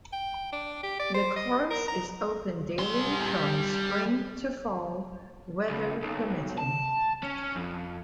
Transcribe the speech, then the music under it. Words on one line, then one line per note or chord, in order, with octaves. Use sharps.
The course is open daily from spring to fall, weather permitting.
G5
D4
G4
D5
C5
D#5
A#4
A#5
G3 C6
C#2
B1
A5
C#4
F2